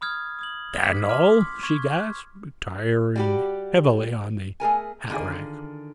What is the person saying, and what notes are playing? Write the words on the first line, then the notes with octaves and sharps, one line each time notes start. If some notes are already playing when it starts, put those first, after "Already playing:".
"Dan'el!" she gasped, retiring heavily on the hat-rack.
B5 D#6 F6 G#6
D#6 G#6 F#7
D6 B6
C6 D6 F6
C#6 G#6
G3 F#4 G4
A3 G#4 A#4 G#5
D3 D#3 F4 G#4